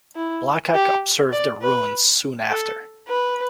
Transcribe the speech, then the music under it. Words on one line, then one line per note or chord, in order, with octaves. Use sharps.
Black Hawk observed the ruins soon after.
E4
G4
D5
B4
A4
B4